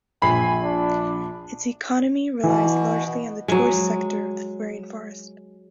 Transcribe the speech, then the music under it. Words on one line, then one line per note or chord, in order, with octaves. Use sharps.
Its economy relies largely on the tourist sector of the rain forest.
A#1 G#5 B5 C7
D4
B2 E3
F#3 G#3